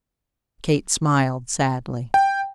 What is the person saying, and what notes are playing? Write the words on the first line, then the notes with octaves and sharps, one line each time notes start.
Kate smiled sadly.
G5